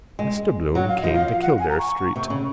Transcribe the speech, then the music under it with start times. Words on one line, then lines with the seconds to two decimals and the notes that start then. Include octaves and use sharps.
Mr Bloom came to Kildare street.
0.19 G#3
0.75 F#3 F#5
0.88 F5
1.01 F3 D#5
1.14 F5
1.31 F5
1.41 F#5
1.59 G#5
1.69 A#5
1.78 C#6
2.16 C3
2.30 C#3